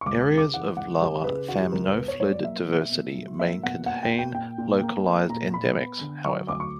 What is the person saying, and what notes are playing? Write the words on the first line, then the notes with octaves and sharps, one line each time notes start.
Areas of lower thamnophilid diversity may contain localised endemics, however.
C#6
C#2 D6
D6
C#3
D6
E3 F#5
C#2 F#5
C#2 G4
C#3 B4
E3 F#4
G4
C#2 A#4
A#4
B2 B4
C#5
F#3 C#5
D5
A#3 E5
B2
B2
F#3
A#3 E5
B2 F#5
A#3 F#5
G5
A#3
G5
A#2 G5
A#2
A#3
A#3
A#2 A#5
A#2 B5
B3
D3
F#3 C#6
D2 D6
C#6